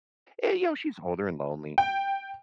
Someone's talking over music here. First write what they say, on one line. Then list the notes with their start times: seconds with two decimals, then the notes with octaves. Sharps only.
And, you know, she's older and lonely.
1.78 G5